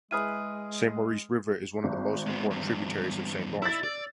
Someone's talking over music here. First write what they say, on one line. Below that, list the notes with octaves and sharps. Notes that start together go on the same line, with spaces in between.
Saint-Maurice river is one of the most important tributaries of Saint Lawrence river.
G#3 E4 G#4 B4 D#6 F6 D#7
G#1
G#3 B3
E2 G2
E4 E6 A6
D5